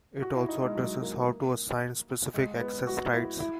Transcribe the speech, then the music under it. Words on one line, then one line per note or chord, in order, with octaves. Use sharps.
It also addresses how to assign specific access rights.
F#4
E4
D#4
G#3
F#3
A#3
G#3
B3
F#4
E4
E4